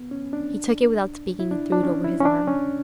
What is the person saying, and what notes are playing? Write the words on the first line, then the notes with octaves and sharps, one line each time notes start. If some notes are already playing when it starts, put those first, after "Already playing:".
He took it without speaking, and threw it over his arm.
Already playing: B3
C#4
D4
E4
D4
D4
C#4
E4
C#4
D4
C#4